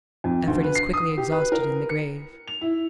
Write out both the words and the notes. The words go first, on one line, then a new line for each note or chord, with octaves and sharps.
Effort is quickly exhausted in the grave.
F2
D2
B4
C7
D#6
G4
B4
A#4
C#7
F7
E4